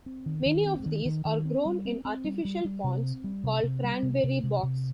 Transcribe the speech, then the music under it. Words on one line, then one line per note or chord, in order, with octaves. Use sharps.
Many of these are grown in artificial ponds called cranberry bogs.
C4
D#3
D#3
C4
D#3
D#3
D#3
C4
G3
C4
C4
G3
G3
G3
C3
C4
G3
C3
C3
G3
C3
C3
C3
C3